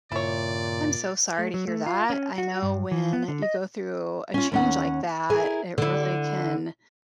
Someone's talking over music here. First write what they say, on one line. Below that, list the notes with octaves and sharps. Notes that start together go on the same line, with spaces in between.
I'm so sorry to hear that. I know when you go through a change like that, it really can
G2 A#2 C#3 E4 C#5 D5
A3
F#3
A3
F4
C#4
F#4
G2
E3
B3
D3
D#5
C#4 F4
D#2 C#4 F#5
E4 G#4 A#4
D3 E4